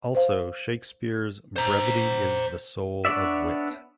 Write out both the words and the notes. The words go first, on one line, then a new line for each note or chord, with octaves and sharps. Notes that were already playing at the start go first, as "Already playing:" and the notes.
Also Shakespeare's "Brevity is the soul of wit".
C5 F5
C5 A#5
B3 D4 C#5 D5 E5